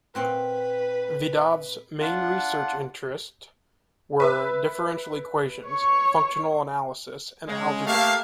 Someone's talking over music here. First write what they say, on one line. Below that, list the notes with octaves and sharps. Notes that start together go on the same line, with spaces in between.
Vidav's main research interest were differential equations, functional analysis and algebra.
A#2 C4 F#4 B4
D4 F4 F#5
B4 E5
C#5 C#6
C#3 G#3
A3 A#3 G4 E5 F5